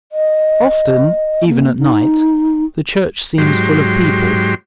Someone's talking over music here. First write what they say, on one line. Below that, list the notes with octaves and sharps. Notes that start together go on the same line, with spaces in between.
Often, even at night, the church seems full of people.
D#5
A#3
D#4
G#2 F#3 G4 C6